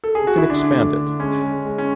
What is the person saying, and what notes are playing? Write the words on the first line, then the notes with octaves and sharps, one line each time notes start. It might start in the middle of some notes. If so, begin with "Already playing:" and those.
You can expand it.
A4
G#4
F#4
E4
D3 D4
A3
D3
G#3 C#4
G#3
G#3
C#4